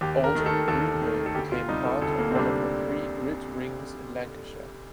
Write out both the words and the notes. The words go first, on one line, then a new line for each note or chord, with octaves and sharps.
Oldham Greenhill became part of one of the three grid rings in Lancashire.
D#2 G4
A#4
D#3 A3
A4
D#2 A4
D#3 A3
A4
D2 G4
F4
C3 G3 D#4
A4
D2 A4
A#3
C4
C3 G3 D4